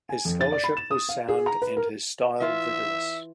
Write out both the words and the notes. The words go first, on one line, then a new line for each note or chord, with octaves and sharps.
His scholarship was sound and his style vigorous.
G#5
F2
A6
D5
B5
E7
D#6
F5
G#4
A#5
B4
A#4
E3 F4 E5